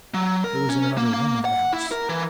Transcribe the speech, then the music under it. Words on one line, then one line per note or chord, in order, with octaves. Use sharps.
It was in another wing of the house.
F#3
A#4
C#4
A#3
A#3
F#5
E4
A#4
E3